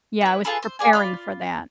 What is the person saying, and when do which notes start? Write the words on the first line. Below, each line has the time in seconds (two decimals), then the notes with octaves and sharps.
yeah, I was preparing for that.
0.21 E4 B4
0.45 F4 G#4 A4 B4
0.63 C5
0.79 G#4 D5 G#5
0.93 F4 B5